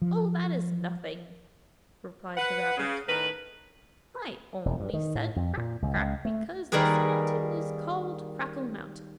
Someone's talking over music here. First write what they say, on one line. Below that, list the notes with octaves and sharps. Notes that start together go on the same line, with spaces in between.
"Oh, that is nothing." replied the rabbit; "I only said 'Crack, crack' because this mountain is called Crackling Mountain."
F3
B4 F#5
C#3
A2 D#3 A#4 B4
E1
G2
D#3
A2
F2
A#2
C#2
C#2
A3
D#3 G3 A#3 G#4 B4